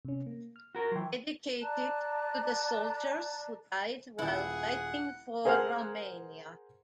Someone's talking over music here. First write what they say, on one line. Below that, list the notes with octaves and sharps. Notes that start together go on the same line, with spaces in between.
Dedicated to the soldiers who died while fighting for Romania.
C3 C#4
A#3
F6
F#4 A#4
E3 F#3 G5 C6
D5 A5 A#5 F#6
D#1 E4 G#4 B4 F#5 A5
G#4 A#4 C5 F#5 G#5 F6